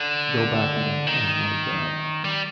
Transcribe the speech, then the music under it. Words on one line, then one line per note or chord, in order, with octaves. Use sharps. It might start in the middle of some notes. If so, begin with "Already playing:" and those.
go back and and like, um
Already playing: D3
D#3
G3